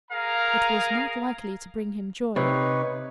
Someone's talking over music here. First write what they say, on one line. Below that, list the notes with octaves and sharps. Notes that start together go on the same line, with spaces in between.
It was not likely to bring him joy.
G#4 A#4 F5 A#5
C3 D#4 B4 C#5